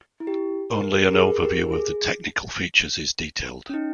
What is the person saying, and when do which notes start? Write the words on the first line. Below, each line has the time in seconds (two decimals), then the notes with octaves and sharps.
Only an overview of the technical features is detailed.
0.20 E4
0.27 G4
0.71 A#4
0.83 B4
0.94 G4 A#4
1.05 A#4
1.13 G#4 B4
1.43 G4 A#4
1.72 G#4
3.69 C#4
3.74 D#4